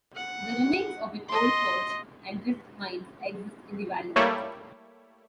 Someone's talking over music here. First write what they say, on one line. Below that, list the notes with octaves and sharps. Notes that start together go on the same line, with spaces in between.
The remains of an old forge and drift mines exist in the valley.
F#5
D#5 C6
G3 A3 A#3 E4 C#5